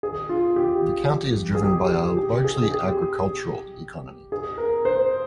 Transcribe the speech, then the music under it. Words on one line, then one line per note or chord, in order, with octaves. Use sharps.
The county is driven by a largely agricultural economy.
G#4
F4
G4
G#4
G4
G4
G#4
G#4
G4
G#4
A#4
C5